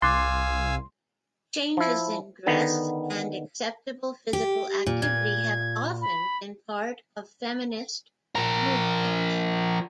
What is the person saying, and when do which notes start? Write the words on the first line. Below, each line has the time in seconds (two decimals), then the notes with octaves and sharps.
Changes in dress and acceptable physical activity have often been part of feminist movements.
0.02 C2 F5 G#5 C6 D6 E6 F#6 A6
1.77 F3 E4
2.46 D3 D#3 B3
4.33 G4
4.87 A#2
5.02 A#2 G#6
6.02 B5
8.35 F3 A#4